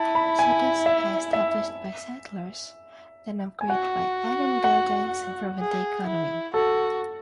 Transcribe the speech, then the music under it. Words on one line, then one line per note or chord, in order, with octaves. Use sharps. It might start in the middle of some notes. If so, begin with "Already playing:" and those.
Cities are established by settlers, then upgraded by adding buildings improving the economy.
Already playing: E4 A5
B5
G#5
E5
E5
G#5
F#4 F#5
F#5
G#4
E4
F#4 A4